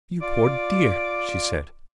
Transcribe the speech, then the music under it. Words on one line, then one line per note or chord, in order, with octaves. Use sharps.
"You poor dear!" she said.
F4 D5 D6